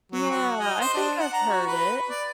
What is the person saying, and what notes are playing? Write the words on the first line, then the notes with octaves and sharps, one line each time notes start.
Yeah, I think I've heard it.
F#3
F#4
D#5
C5
D4
F#5
A#5
F#4
B4
D5